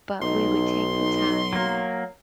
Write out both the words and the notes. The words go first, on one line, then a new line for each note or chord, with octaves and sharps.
but we would take the time
B1 D#4 C6
F#3 A#3